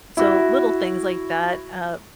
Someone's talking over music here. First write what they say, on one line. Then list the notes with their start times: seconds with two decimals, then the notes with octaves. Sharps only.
so, little things like that, uh,
0.17 E4 F#4